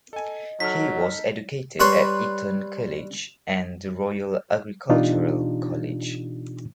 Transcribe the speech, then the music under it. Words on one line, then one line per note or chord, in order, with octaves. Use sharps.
He was educated at Eton College and the Royal Agricultural College.
A4 D#5 G#5
F#3 D#4 A4 F6 B6
G3 B4 C#5 C6
B2 E3 D4 D#4 F4 G4